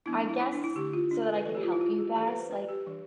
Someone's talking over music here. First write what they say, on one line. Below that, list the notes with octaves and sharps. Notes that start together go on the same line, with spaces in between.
I guess so that I can help you best, like,
F3 B3 D4 E4
D4
E4
E4
D4
E4
D3 A3 D4 G4
F4
D4
A4
B4
E3 A3 C4 A4
G4
F4
E4
F4
G4
E3 G3 D4 A4
B4
C5
B4
G4
E3 G3 D4